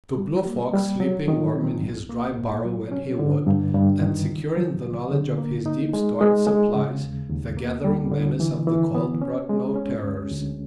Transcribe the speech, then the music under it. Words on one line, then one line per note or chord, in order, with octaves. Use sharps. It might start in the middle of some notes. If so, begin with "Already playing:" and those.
To Blue Fox, sleeping warm in his dry burrow when he would, and secure in the knowledge of his deep-stored supplies, the gathering menace of the cold brought no terrors.
G3
A#3
G3
F#3
D#3
C3
C2
A#3
A#2
F#3
C#4
D3
G2
G2
D#3
C#2
F#3
C#2
D3
A#3
D#4
G#3
G#3
G#3
C#3
D#2
D#2
A#3
G3
D3
E3
E3
B3
C#4
G#3
C#4
D2
D2